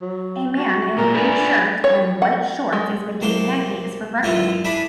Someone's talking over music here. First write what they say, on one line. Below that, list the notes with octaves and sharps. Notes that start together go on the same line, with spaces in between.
A man in a green shirt and white shorts is making pancakes for breakfast.
F#3
F#4
A#2 A#4
D4 G#4 B4
C#5
F#5
G#3
C2 F#3 A#3 A5 C6
A1 F#2 F#3 G#3 E4 F4
D4 E4 G#4 A5 B5